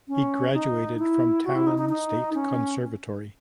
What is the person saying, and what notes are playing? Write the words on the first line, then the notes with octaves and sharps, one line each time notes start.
He graduated from Tallinn State Conservatory.
C#4
D#4
E4
F#4
E4
D#4
D#4
D#4
C#4